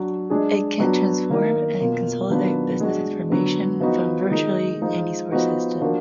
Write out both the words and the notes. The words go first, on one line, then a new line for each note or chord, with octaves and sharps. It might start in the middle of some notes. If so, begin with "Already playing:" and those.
It can transform and consolidate business information from virtually any source system.
Already playing: F#3 D4 F#4
G#3 D4 G#4
F#3 B3 D4 F#4
D#3 A#3 D#4
B2 A#3 F4
D#3 F#3 B3 D4 F4
G#3 D4 F#4
D3 F#3 B3
F3 B3 D#4 F#4
D#3 G#3 D#4
F3 G#3 D#4
F3 B3 D#4 F#4
F3 A#3 D4 F#4